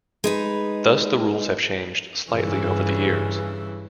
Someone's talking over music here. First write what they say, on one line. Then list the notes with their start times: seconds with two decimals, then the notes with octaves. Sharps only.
Thus, the rules have changed slightly over the years.
0.24 G#3 D#4 B4
2.33 G2 C#3 E3